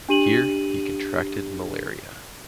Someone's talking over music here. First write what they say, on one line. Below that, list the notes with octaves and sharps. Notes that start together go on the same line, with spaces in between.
Here he contracted malaria.
D4 G4 D#7 F#7